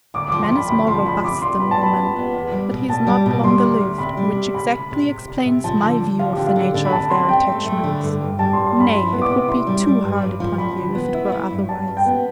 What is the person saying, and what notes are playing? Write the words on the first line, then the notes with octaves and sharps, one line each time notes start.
Man is more robust than woman, but he is not longer lived; which exactly explains my view of the nature of their attachments. Nay, it would be too hard upon you, if it were otherwise.
D2 D6
F3 D6
C6
F3 B5
D2 B5
F3 C6
D2 B5
C3 D6
F4 C6
B3 B5
A5
B3 B5
F4
B3
E2
G3
B2
B2 A5
G3
B2
G3 C6
D2
D2
C3 B5
G3
C3
D2 B5
D2
C3
C3
D2
C3
F3 A5
D3
D3
F3 F5
D3 G4
F5
D3
D3
B5
D3 A5
C4 C6
C4 G5
A3
A3
D3
G2
G2
G3 A5
G2 C6
C6
G2 B5
E4 C6
B3
D6
C3
E4 C6
G3
G3
G2
G2
F3
F3 B5
D3
B3
E4
E4
G2
G2 A5
G2
G5
B3